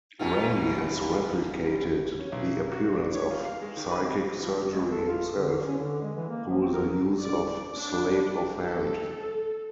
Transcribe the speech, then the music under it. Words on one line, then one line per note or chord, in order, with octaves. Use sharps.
Randi has replicated the appearance of psychic surgery himself through the use of sleight-of-hand.
F#2 B2 F4
C#4
B1
F#4
D4
C#5
F4
F5
G#3
D#3
B4
C4
F3
G#3
A4
F4
D3
C#4
D3
G#3
E3
A#3
F3
C4
A#4
D5
D4
A4